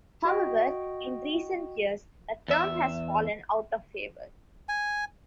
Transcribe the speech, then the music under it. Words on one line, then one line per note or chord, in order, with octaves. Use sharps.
However, in recent years the term has fallen out of favor.
F#4 D#5 G5
E2 E5
G#5